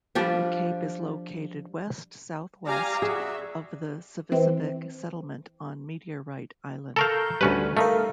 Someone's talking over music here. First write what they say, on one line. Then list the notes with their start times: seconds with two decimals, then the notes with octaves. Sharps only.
The cape is located west-south-west of the Savissivik settlement on Meteorite Island.
0.15 F3 G3 D4
2.66 G4 D5 F5 G#5 A#5
3.02 F#4 G#4 E5
4.32 E3 C4
6.96 A4 A#4 F5 A#5 C#6 G6
7.41 D2 G3 C#4 B4
7.77 A3 D#4 A#4 F5